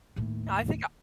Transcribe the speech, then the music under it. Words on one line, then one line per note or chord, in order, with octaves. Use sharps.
Yeah, I think I
D#2 A2